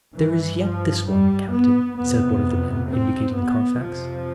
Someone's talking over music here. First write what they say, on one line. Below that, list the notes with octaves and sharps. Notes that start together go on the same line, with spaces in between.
"There is yet this one, captain," said one of the men, indicating Carfax.
G2 E3
F3
G3
B3
F2 C3 B3
C4
B3
F2 C3 F3